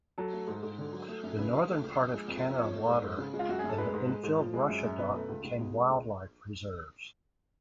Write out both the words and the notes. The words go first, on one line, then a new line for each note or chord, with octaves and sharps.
The northern part of Canada Water and the infilled Russia Dock became wildlife reserves.
F#3 A4
A3
G#2
G#2
D3
F#3
A3
F#2
C#3 B4
F#3
A3
C#2
F3
G#3
F2
F2
F3 C#5
A3
G#2
G#2
C#3
G#3
F4
F#2 F#4
G#4
F#2
A4
G#3 B4
G#2
G#3
G#2
F3
G#3
F#2
F#2
B2 B4
A3
C#2
C#2
B2
G#3
C#2